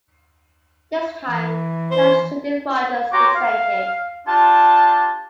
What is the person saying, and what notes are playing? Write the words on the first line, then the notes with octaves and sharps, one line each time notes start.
This time Judge Judith Rogers dissented.
E3
C5
F#4 G4 C#5 A#5 C6 D6
F5
D4 F4 G4 A5